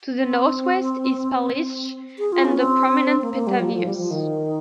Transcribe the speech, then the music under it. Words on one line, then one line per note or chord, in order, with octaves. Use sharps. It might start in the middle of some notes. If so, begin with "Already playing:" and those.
To the northwest is Palitzsch and the prominent Petavius.
C4
G#4
F4
C#4
C4
A#3
A#3
G3
F3
F3
G3
F3
D#3